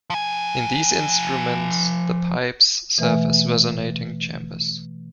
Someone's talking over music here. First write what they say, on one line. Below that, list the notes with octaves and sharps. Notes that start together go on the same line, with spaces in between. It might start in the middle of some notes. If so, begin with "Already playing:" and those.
In these instruments, the pipes serve as resonating chambers.
F3 G#5
B2 E3 A3 B4 E5 G#5